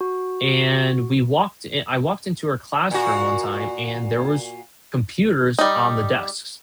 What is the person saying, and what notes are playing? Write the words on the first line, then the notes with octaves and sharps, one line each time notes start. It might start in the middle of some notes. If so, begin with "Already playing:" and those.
and we walked in I walked into her classroom one time and there was computers on the desks;
F#4
A#2 F#4
G3 D#4